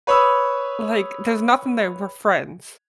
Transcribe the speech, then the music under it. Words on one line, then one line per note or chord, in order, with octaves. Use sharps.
like, "There's nothing there, we're friends."
B4 C#5 B5 D#6 E6